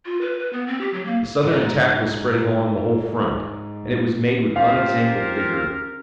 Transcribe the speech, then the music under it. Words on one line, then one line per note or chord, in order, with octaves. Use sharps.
The Southern attack was spreading along the whole front, and it was made with unexampled vigor.
F4
B4
B4
B3
C4
G4
F#3
A#3
G#2 D#5
C#4 F4 G4 A#4 C5 F5